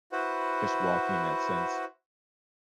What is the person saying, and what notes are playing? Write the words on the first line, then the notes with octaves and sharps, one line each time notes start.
just walking in that sense
E4 F#4 B4 C5 F#5